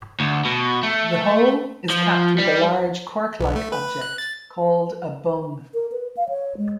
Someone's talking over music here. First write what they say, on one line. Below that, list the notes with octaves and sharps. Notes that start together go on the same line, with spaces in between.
The hole is capped with a large cork-like object called a bung.
D2
B2
A3
F3
G3
B1
A3
B4
F#6
A6
A#4
B4
F5
C#5
G#3